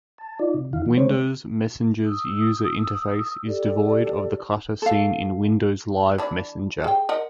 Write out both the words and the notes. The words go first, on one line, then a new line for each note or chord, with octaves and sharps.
Windows Messenger's user interface is devoid of the clutter seen in Windows Live Messenger.
A5
D#4 F4 D5
C3
E2 D3 D#3 E4 F5
F3
D3 G#3 C5 C#5
D#6 E6
G4 A4 D5
A4 F5
E3 D4
G#4 G5
A#4 D#5 F#5